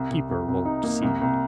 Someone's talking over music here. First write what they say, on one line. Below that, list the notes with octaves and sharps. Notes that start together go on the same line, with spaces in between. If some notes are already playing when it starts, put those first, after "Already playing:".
Keeper won't see.
Already playing: C2
C2
C2
C2
D#4
A#3
C2
C2